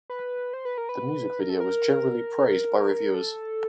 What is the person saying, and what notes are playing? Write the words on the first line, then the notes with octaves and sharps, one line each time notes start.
The music video was generally praised by reviewers.
B4
C5
B4
A#4
B4
A#4
A4
A#4
A4